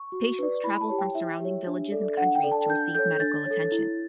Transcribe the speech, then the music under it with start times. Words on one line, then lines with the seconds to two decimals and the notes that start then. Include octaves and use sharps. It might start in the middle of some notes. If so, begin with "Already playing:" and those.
Patients travel from surrounding villages and countries to receive medical attention.
Already playing: C#6
0.12 F#4
0.39 B4 D5
0.64 E4 B5
0.81 A5
0.90 G4 C#5
0.99 G5
1.15 E4 E5
1.40 G4 C#5
1.67 D4
1.92 A4 D5
2.17 D4 F#5
2.35 G5
2.43 A4 D5
2.52 A5
2.69 D4 G6
2.95 A4 C#5 G6
3.20 D4 A6
3.46 A4 C#5
3.72 E4